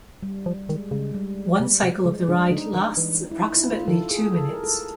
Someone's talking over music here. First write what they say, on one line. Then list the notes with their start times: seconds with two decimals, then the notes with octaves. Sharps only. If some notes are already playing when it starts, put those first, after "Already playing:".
One cycle of the ride lasts approximately two minutes.
0.23 G3
0.46 F3
0.69 D#3 G#3
0.91 C#3 G#3
1.15 G3
1.60 C3
1.83 C3
2.05 C#3 G#3
2.28 C#3 D4
2.51 D3 D#4
2.74 D#3
2.97 E3
3.31 E4
3.42 D#4
3.57 E4
3.72 F4
3.88 D#3 A4
4.11 G#4
4.34 A4
4.49 A#4
4.64 A4